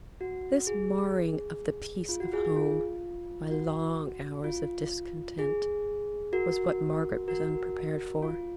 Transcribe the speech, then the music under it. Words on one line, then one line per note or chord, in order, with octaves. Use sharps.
This marring of the peace of home, by long hours of discontent, was what Margaret was unprepared for.
F#4
G#4
F4
F#4
G#4
G#4
F4
F#4
F4
G#4
F#4 A#4
F#4 A#4
F4